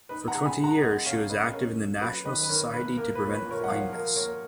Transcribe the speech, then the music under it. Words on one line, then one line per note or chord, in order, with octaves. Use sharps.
For twenty years she was active in the National Society to Prevent Blindness.
D#4 B4
F#5 A#5
C#3
G#5 B5
G#3
F#5 A#5
G#3 D#5 F#5
C#3 C#5 F5
C#3 B4 D#5
C#4 A#4 C#5
A#3
F#3 B4
D#3 B4 D#5
B4
D#3 A#4 C#5
A#3 B4
A#3 A#4
B4
A#2
C#5
B4
A#2
A#4 C#5
F#5
F3 C#5 F5
F3 A#4
A#3 A#4 C#5